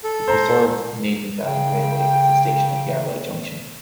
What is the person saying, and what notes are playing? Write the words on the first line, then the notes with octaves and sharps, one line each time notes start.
The preserved Nene Valley Railway has a station at Yarwell Junction.
A4
C5 A#5
C#3 G5